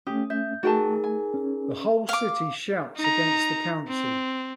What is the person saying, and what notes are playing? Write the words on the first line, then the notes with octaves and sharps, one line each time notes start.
The whole city shouts against the Council.
A3 C#4 G4 D#6
E5 G6
A3 D#4 F#4 G#4 A#4 G5 A5
G#5
C#4
F5 D6
D#4 A#5
C4